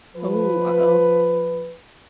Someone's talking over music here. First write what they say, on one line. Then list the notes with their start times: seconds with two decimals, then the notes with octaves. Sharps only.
Oh, uh-oh.
0.15 F3 B4